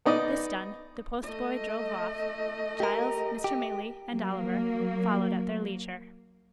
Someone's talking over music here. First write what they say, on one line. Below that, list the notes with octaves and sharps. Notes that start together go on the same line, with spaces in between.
This done, the postboy drove off; Giles, Mr. Maylie, and Oliver, followed at their leisure.
B3 D#4 D5 D#5
A3 D#5
G4 A#4
G4
F#3 A#3